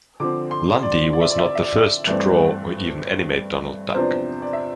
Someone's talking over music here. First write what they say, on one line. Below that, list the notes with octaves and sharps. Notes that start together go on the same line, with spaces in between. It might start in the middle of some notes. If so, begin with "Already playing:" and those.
Lundy was not the first to draw or even animate Donald Duck.
D3 F3 C4 D6
C6
D5
D5
E5
D5
E5
D5
E5
D5
G2 E3 A3 C4 D5
E2 C3 F3 B3 D4 C5
D5
E5